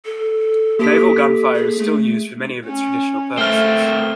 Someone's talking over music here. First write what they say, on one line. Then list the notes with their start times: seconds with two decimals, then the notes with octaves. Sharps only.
Naval gunfire is still used for many of its traditional purposes.
0.05 A4
0.79 A#3 G4 A4 B6
1.55 G#4
1.79 A3
2.66 C#4
3.38 A3 A#3 C4 F6 G7